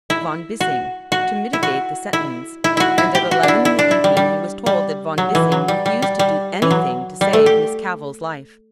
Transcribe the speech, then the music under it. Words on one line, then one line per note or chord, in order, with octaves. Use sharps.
Von Bissing to mitigate the sentence, and at eleven in the evening he was told that Von Bissing refused to do anything to save Miss Cavell's life.
E4
F#4
F#4
E4
F#4
E4
E4
E4 F#4
E4
G4
F#4
D4 E4
E4
D4
E4
G3
G3
G3
F#3
E3
F#3
G3
G3
G3
G3
E3
F#3
G3
A3
G4